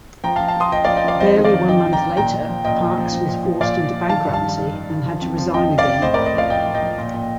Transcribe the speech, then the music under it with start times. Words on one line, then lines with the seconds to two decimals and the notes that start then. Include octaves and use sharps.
Barely one month later Parkes was forced into bankruptcy and had to resign again.
0.24 F3 G5 A#5
0.36 F5 A5
0.40 F3
0.48 F5 A5
0.57 F3 C6 D#6
0.72 F3 D#5 G5
0.84 F3 D5 F5
0.96 D#5 G5
1.04 F3 D5 F5
1.20 F2 C5 D#5
1.37 D#3
1.44 D5 F5
1.53 D#3
1.68 D#3 D#5 G5
1.85 D#3
1.93 G5 A#5
2.01 D#3
2.17 A#2 G5 A#5
2.33 F3
2.49 F3
2.65 A#2 D#5 G5
2.81 A#2
2.97 F3
3.13 F3
3.29 A#2
3.45 F3
3.61 A#2 D5 F5
3.77 F3
3.93 F3
4.09 D#3 F5 A5
4.25 G2
4.33 F5 A5
4.41 D#3
4.58 D#3
4.73 D#3
4.90 D#3
5.06 F3
5.21 F2
5.38 F3
5.53 F2 D#5 G5
5.70 F2
5.78 D5 F5
5.86 F2
6.02 A2 C5 D#5
6.14 A2 A#4 D5
6.26 C5 D#5
6.34 F3 D5 F5
6.50 A2 D#5 G5
6.66 F3
6.74 D#5 G5
6.82 F3
6.98 A#2
7.14 A#2